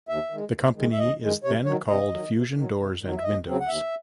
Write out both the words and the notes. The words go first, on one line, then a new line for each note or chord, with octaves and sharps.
The company is then called Fusion doors and windows.
D#2 E5
D#3 G#3
D#2
D#3 G#3
E5
D#2 D#5
D#3 G#3
C3 C#5
D#3 F#3 C#5
C3 D#5
D#3 F#3
C3
D#3 F#3
C3
D#3 F#3
E5
D#2 D#5
C#3 F#3 C4
F#5
D#2 E5